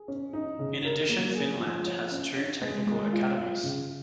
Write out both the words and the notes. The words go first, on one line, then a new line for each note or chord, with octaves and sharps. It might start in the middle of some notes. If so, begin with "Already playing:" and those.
In addition Finland has two technical academies.
Already playing: G#4
C#4
D#4
C#3
A#4
A#3
G#4
F3
C#5
C#4
C#5
G#3
G#3
F4
F4
C#3